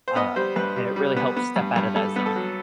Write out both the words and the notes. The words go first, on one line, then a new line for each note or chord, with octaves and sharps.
Uh, and it really helps step out of that zone.
C5
B3 D#5
G3 C5
G2 B4
G3
G3
B3
B3
G2
G2
G2 A4
B3
A4
F#3